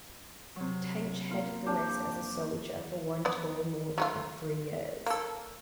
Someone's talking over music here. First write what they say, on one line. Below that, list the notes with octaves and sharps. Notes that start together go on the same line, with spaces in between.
Tench headed the list as 'a soldier for one tour more of three years.
C3 F#3
A#3 F4
F2 D4 G4
B3 D5
F#3 A3 F4
A#3 A4